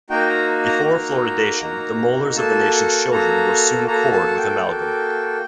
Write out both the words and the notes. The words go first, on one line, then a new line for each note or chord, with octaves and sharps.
Before fluoridation the molars of the nation's children were soon cored with amalgam.
A#3 D#4 F#4 G5
A#5
A#5
A#3 D#4 F#4
A#3 D#4 F#4
A#3 F#4 A4 A5
F#5
A#3 F#4 A4 A#5
A#3 F#4 A4 A#5
A5
F#5
G5
A#3 F#4 A4